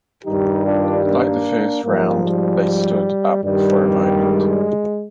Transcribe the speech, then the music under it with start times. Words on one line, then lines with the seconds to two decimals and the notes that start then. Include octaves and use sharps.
Like the first round, they stood up for a moment.
0.26 G2 D#3 G3 D#4 G4
0.66 D4 F4
1.05 A#3 D4
1.84 G#2 F3 G3 A#3
2.24 G3
3.43 G2 D#3 G3
4.22 G#3